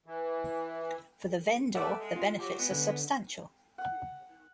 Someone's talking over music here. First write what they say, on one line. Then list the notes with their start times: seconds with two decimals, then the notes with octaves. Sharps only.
For the vendor, the benefits are substantial.
0.06 E3
1.75 A3 A4 B4 D5 E5 F#5
2.00 G#3
2.16 F4
2.39 F#3 G4
2.58 G#3 B3
2.71 D3
3.78 F#5